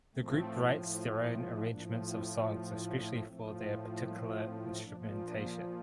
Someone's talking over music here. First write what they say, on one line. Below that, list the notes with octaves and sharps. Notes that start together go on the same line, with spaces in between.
The group writes their own arrangements of songs especially for their particular instrumentation.
A2 F3 A3 C4
A2 F3 A#3 D4
C4 E4
A#3 D4
A2 F3 A3 C4
A3
G3 A#3
A3 C4
A#2 F3 A#3 D4
A#3 D4